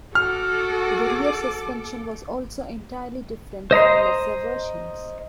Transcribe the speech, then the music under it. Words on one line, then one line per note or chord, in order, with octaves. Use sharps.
The rear suspension was also entirely different from lesser versions.
F#4 A4 D6 F6
C5 D#5 A#5 C6